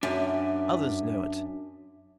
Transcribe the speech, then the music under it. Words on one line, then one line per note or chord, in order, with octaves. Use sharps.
Others know it.
F#2 D4 E5 G#5